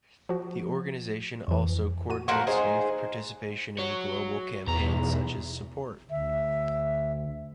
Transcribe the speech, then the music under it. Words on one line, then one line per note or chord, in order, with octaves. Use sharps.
The organization also coordinates youth participation in global campaigns such as Support.
F3 F#4
F2 E3
F#4 D#7
F3 A#3 F#5 C6 F#6
D#4 G#4 C5
F#4 C#5
B1 E2 A#5
D2 E5